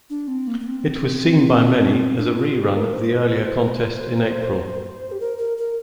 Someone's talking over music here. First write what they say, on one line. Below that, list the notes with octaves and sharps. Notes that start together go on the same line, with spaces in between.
It was seen by many as a rerun of the earlier contest in April.
D4
C4
A#3
A#3
C4
D4
F4
G4
A#4
C5
A#4
C5
G4
A#4
A#4
A#4